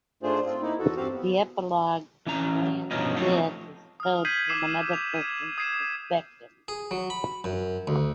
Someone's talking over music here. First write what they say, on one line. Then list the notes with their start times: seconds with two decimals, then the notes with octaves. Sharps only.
"The Epilogue: Glahn's Death" is told from another person's perspective.
0.23 G#2 A3 D4 F4 G#4 C5
0.45 C4 F4
0.62 A#3 D#4 E4
0.79 E2 F#4 A4
0.97 G2 C4 F#4 G4 C5 F5
1.14 B3
2.26 E3 C#4 A#5
2.91 G2 B2 F3 B3 C#4 D#4
3.16 F3 A3 C4 D#4 F4 C#5
4.00 D#6 F6
4.25 G6 G#6 B6 C7 D#7 F#7
4.49 D6 E6 C7 E7
4.93 F7
5.14 G#6 D#7
5.58 D#6 G#6 C7 D#7 E7
6.68 G#4
6.91 F#3
7.10 B5
7.44 F#2
7.87 D2